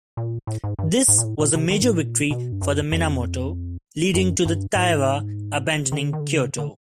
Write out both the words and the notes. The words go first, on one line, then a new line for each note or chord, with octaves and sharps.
This was a major victory for the Minamoto, leading to the Taira abandoning Kyoto.
A#2
A2
G#2
G2
G#2
A#2
A2
A#2
C3
D#3
G#2
A2
A#2
B2
G2
F#2
F2
F#2
G2
G#2
A2
G#2
D#3
D3
D#3
D3
C#3
D3